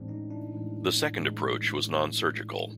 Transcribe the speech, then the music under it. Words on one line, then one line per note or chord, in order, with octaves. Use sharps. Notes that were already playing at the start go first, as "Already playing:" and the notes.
The second approach was nonsurgical.
Already playing: A2 E3 G#3 C4 D4
C#4 D#4
D4 E4
A2 E3 G#3
A2 E3 G#3